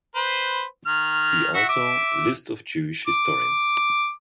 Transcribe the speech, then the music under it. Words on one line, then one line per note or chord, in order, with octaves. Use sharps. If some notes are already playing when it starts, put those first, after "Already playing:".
See also List of Jewish historians.
B4 C5
D#3 F6
F#4 E5 F#5
E5 D6
D6